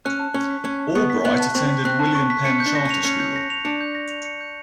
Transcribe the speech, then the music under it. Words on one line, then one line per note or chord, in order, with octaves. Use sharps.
Albright attended William Penn Charter School.
C#4 F#6
A5
C#4 C#6
B6
C#4 F#6
A5
B3 C#6
B6
B3 F#6
A5
C4 C#6
B6
C4 F#6
A5
C#6
B6
C#4 C#7
G6
D4
A#6
C#4
F7
C#4 C#7
G6
A#6
F7
D4 C#7
G6
A#6
F7
C#7
G6